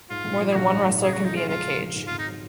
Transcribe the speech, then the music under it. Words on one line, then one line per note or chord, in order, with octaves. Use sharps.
More than one wrestler can be in the cage.
G#2 F4
A#1
F3
G#4
A#1 F#4
G#2
A#1
C#3 G#4
F#4
F2
D#4
G#3 F4
F2 F4
C#3
F2
G#2
F4
G#1
D#4
F#3